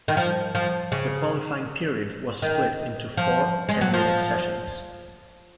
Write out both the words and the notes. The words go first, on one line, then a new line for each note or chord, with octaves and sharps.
The qualifying period was split into four, ten-minute sessions.
D#3
F3
F3
C#3
D#3
F3
G#3
F#3
F3